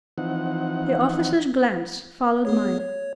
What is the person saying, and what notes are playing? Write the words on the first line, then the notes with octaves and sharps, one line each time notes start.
The officer's glance followed mine.
E3 F3 C4 D#4 F#5
B3 G#4 C#5
C#5